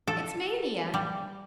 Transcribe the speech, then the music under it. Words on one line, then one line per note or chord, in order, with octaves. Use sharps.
It's mania.
A4
G3